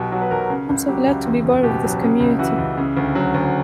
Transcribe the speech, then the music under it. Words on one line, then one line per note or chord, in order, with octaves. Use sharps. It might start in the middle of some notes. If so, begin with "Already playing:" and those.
I'm so glad to be part of this community.
Already playing: B1 B2 G4
F#3 F#4
B4
B1 A#4
C#3
C#2
F#3 G4
C#2
E2
F#1
B2 G4
F#3
C#3
C#2
E3 F#4
C#2
C#3
D2
F#3
D2